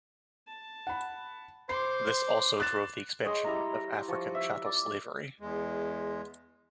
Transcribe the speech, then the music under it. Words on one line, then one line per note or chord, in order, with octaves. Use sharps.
This also drove the expansion of African chattel slavery.
A5
F#5 B5
C5 C6 D6 C7
F#6 A6 E7
G#4 C#5 D#5 C6
G3 E4 A#5
F3 G3 C#6
E5
D5
E2 G#3